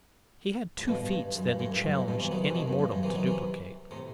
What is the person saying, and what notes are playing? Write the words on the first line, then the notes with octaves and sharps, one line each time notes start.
He had two feats that he challenged any mortal to duplicate.
A2
G2 B2
G2
F#2
G2
F#2 A2
G2
F#2
A2
G2
G2 B2
C3 E3
D#3 F#3
C3 E3
B2 D#3
F#2
G2
F#2 A2
C3 E3
D#3 F#3
C3 E3
A2 C3